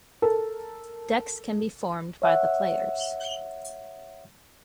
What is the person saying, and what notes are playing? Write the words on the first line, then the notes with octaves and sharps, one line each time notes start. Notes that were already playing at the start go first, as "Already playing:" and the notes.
Decks can be formed by the players.
A4 A#4
C#5 E5 F#5